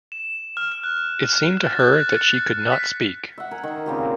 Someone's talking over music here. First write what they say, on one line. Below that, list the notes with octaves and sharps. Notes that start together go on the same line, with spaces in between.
It seemed to her that she could not speak.
E7
F6
F#6
A6
F#6
C#7
B6
E5 F#5
A#4 G#5
D#3
A#2 C#3 C4 G4